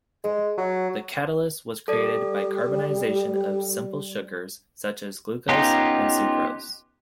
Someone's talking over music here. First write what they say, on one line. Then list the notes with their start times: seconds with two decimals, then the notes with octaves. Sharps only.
The catalyst was created by carbonization of simple sugars such as glucose and sucrose.
0.24 G#3
0.58 F#3
1.88 G3 A4 D5
5.49 B3 C#4 D#4 F4 G4